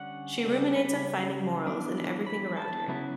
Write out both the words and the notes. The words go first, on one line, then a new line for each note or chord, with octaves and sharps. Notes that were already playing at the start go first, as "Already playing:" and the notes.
She ruminates on finding morals in everything around her.
Already playing: D3 G3 C#4 F#5
C#3 G3
B5
E3 B3 D4
B5
A5
C#3 F#3 B3 E4